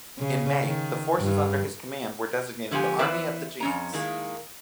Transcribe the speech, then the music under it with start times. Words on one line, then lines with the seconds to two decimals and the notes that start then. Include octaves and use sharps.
In May, the forces under his command were designated the Army of the James.
0.19 C#3
0.63 D#3
1.20 G2
2.71 D3 F3 G#3 B3 G4 G#5
2.99 E3 B3 B4 C5 D5 E5
3.60 F2 C#4 A#5
3.93 A2 D#3 G#3 A#3